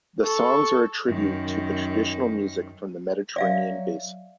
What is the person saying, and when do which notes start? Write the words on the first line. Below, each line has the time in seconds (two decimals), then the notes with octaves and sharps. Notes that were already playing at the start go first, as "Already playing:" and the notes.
The songs are a tribute to the traditional music from the Mediterranean basin.
0.24 A4 C#6
1.06 F#2 D#3
3.36 F#3 D5 E5 F5